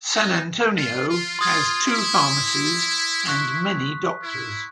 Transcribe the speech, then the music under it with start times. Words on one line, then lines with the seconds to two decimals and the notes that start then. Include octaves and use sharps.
San Antonio has two pharmacies and many doctors.
0.14 D#4
0.77 F4
1.08 F4
1.39 F4 C6 D#6 G#6
1.86 E4
3.28 C#6 F#6 B6
4.22 E4